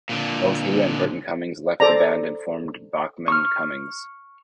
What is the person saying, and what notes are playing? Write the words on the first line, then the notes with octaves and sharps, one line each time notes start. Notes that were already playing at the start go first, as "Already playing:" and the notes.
Both he and Burton Cummings left the band and formed Bachman Cummings.
A#2 D3
A4 C5 D5 A#5
C#6 F6